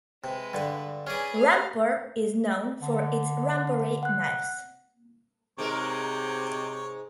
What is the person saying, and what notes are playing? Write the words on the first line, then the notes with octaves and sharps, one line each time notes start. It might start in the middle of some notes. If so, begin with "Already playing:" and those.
Rampur is known for its 'Rampuri knives'.
C3 G#3 B4
G2 D3
C#4 G#4 B4 D5
F5
D3
F#5 F#6
G#2 C3 G#3 A#4 C#5